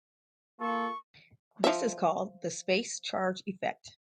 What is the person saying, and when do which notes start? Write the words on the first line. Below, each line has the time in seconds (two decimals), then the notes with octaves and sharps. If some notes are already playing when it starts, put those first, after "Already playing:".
This is called the "space charge effect".
0.60 A#3 F4 A4 C#6
1.64 F3 E5